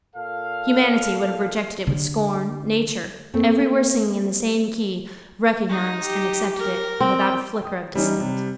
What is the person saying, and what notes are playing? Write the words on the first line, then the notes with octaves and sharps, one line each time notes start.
Humanity would have rejected it with scorn, Nature, everywhere singing in the same key, recognised and accepted it without a flicker of dissent.
A#2 A4 F5
D3
A3 A#3 C4
D#4
G4
A#4
C4 G5
G5 D#6
E3 G3 C#4 D#4
C3